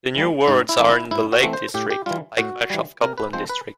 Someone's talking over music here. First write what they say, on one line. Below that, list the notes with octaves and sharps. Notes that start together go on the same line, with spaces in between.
The new wards are in the Lake District, like much of Copeland district.
E3 G3 A#3
G#2 D#4
E4
E3 A3 C4
E4
G#2 E4
F#4
E3 A3 C4
C5
A2 G4
G4
E3 G3 F4
A2 F#4
E3 G3
C3 A#4
B4
F3 G#3 C4 C5
B4